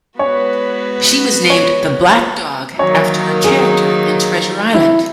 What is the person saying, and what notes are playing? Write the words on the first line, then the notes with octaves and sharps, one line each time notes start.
She was named The Black Dog after a character in "Treasure Island".
G#3 B3 F#4 B4 C#5
C#5
D#3 F#3 A#3 D#4 C#5
G#4
E4